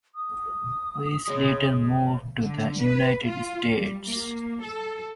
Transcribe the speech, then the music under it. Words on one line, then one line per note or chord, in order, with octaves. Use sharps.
Reiss later moved to the United States.
D#6
C#3 G#3
D3
B4
F4
G3
A#3
A4